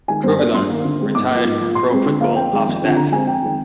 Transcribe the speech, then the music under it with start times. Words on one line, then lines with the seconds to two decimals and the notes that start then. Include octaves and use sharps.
Truvillion retired from pro football after that.
0.08 D#3 G#3 G#5
0.24 G2 C5
0.39 F3 A#3 D5
0.54 G2 C6
0.69 D#3 A#3
0.85 D3
1.00 G#3 C4
1.15 G#2 D6
1.30 F3 A#3
1.45 G#2
1.60 F3 A#3
1.75 A#2 C6
1.91 G#3 C4
2.06 D3
2.21 F3 A#3 F5
2.36 F2 G5
2.51 D#3 G#3 C4
2.66 F2
2.82 D3 F3 C4
2.96 D3 A#5
3.12 G#3 C4 G#5
3.27 F2 G5
3.42 D#3 G#3 C4